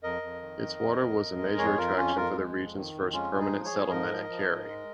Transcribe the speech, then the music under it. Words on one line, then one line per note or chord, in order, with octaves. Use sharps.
Its water was a major attraction for the region's first permanent settlement at Carey.
F2 A#4 D#5
F2
D#3
F2
F2
F2
F2
G#3
F2 G#4 C#5
F2 F4 A#4
F2 C#4 F4
F2 F4 A#4
G#3
F2
D#3
F2
G#3 C#4 F4
G#3
D#4 G#4
F3
G#4 C#5
F3
G#2 A#4 D#5
F3
F3
G#2
G#3